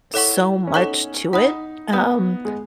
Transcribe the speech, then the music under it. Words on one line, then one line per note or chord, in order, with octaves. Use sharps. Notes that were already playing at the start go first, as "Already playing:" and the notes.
so much to it, um
E4 A4 C#5 F#5 C#6
C#4
D#4 A4 C#5 F#5 C#6
D#4 F#5 B5 D#6
B3 F#5 B5 D#6
G#3